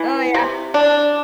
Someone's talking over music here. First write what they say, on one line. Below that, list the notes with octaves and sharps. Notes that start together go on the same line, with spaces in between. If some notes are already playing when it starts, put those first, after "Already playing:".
Oh, yeah.
Already playing: E3
C3
D4